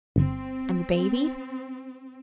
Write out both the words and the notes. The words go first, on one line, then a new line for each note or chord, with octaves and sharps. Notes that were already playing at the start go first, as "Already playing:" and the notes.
And the baby?'
G1 C4